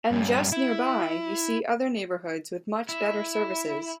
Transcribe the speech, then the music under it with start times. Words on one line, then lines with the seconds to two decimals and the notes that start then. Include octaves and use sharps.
And just nearby, you see other neighbourhoods with much better services.
0.11 G2 C#4
0.52 E4
2.89 E4